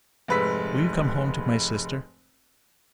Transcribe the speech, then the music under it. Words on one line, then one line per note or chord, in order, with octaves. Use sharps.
Will you come home to my sister?
F1 G#2 B4 E6 B6